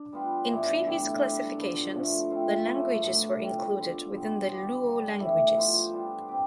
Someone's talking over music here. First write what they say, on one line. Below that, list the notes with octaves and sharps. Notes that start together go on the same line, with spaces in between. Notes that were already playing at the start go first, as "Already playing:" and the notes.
In previous classifications, the languages were included within the Luo languages.
Already playing: D4 D5
G3 B3 F4 B4
G2 E3 B3 D4
D3 A3 E4 G4
G3 D4 A4
G2 F3 B3
A2 F3 A3
A3 C4 F4 C5
A3 D4 F4 B4
A2 E3 B3 D4
B2 G3 C4 F4
B3 D4 F4
B2 G3 B3
B3 D4 G4 C5
G2 D3 G3 B3
E3 A3 E4 G4
F3 B3 F4 C5
G3 D4 F4
C4 G4